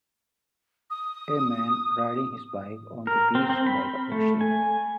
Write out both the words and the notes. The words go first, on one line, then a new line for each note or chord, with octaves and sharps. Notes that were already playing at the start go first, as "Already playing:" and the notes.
A man riding his bike on the beach by the ocean.
D#6
A#4
C4
C4
B5
A3
G#5